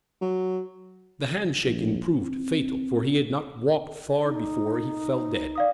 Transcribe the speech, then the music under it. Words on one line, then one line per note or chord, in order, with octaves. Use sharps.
The hand-shaking proved fatal, for he had not walked far before he fell dead.
F#3
A#1
C4
D#4
D5 F5 D#6